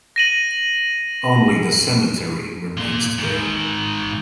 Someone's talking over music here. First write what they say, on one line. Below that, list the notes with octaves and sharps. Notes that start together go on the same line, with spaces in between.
Only the cemetery remains today.
A#6 D#7 F#7
A#3 C6
G#2 D#3